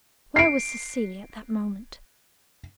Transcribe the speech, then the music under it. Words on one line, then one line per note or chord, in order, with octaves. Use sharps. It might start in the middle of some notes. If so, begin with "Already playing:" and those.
Where was Cecilia at that moment?
C7 D7